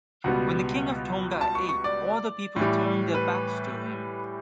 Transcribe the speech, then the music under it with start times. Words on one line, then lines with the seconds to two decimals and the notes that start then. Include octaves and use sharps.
When the king of Tonga ate, all the people turned their backs to him.
0.24 C#2 B2 G3 B3 F#5
1.41 A5
1.55 C#6
1.69 C#6
1.84 D5
2.56 A2 E3 G3
3.15 B4